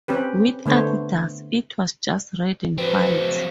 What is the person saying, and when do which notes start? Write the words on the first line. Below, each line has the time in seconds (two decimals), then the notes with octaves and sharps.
With Adidas, it was just red and white.
0.08 C4 C#4 G4 B4
0.66 D3 A3 B3 C5 C#5
2.78 F3 F#3 C4 B4